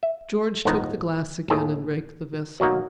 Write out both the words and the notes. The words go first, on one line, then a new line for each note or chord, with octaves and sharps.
George took the glass again and raked the vessel.
E5
G1 D#2 A2 F3 B3 D#4
D#2 A2 G#4 A4
B2 F#3 A#3 D#4 F#4